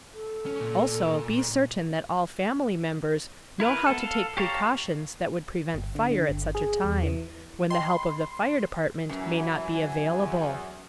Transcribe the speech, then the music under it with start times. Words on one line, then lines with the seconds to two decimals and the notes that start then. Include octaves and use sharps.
Also, be certain that all family members know how to take precautions that would prevent fire at such a time, when the help of the fire department may not be available.
0.14 A4
0.46 C#4
0.60 A#2
3.60 E4 A#4 B4
3.86 B3 A4
4.00 A4 F5
4.37 G4 C#5 F5 A5 A#5
5.74 G1
5.95 D3
6.12 D3
6.29 G1
6.55 G#4
6.84 E2
7.03 E3
7.70 D#5 G5 A#5 C6
7.89 B5
9.09 F#2 E3 G#5
10.08 E2